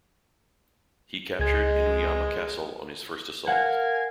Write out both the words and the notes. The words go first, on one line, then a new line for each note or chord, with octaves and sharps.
He captured Inuyama Castle on his first assault.
C#2 G#3 G#6
A#4 F5 F#5 G#5